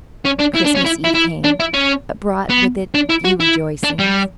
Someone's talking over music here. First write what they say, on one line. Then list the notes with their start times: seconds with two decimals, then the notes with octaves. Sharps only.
Christmas Eve came, but brought with it few rejoicings.
0.25 C#4
0.39 D4
0.55 E4
0.64 D4
0.75 C#4
0.85 E4
1.04 E4
1.14 E4
1.44 D4
1.60 E4
1.74 C#4
2.50 B3
2.94 D4
3.09 E4
3.25 F#4
3.40 E4
3.84 D4
3.99 G3